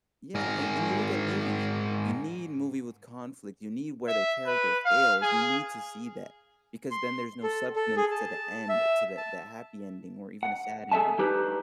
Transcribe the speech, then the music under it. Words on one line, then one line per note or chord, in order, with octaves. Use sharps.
Yeah, and- and you look at movies, you need movie with conflict, you need where the character fails, you need to see that, because then there's no substance to the end, to the the happy ending, or even a sad ending.
G#2 A#4
E5
B4
F5
G#4
C6
A4
A4
G#4
A5
E5
A5
F#5
G#4 A4 D#5 E5 G#5 A5
D4 D#4 G4 B4